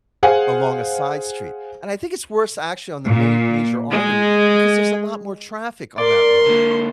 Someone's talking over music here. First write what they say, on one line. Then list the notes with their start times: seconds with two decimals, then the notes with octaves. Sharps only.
along a side street. And I think it's worse, actually, on the ma major artery because there's a lot more traffic on that road.
0.23 G#4 C5 F5 F#5 G#5
3.07 A#2
3.90 G#3
5.98 A#4 D5 C6
6.46 D3 A#3